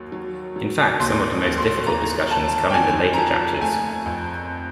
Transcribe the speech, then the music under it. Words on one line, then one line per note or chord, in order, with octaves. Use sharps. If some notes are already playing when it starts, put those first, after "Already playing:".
In fact some of the most difficult discussions come in the later chapters.
Already playing: D#2 F#3
F#3
F#3
D#2 C6
D#2
C6
D#2 A#5
D#2 A5
G5
F2 G#5
A#5
F3 A5
A3 G#5
F2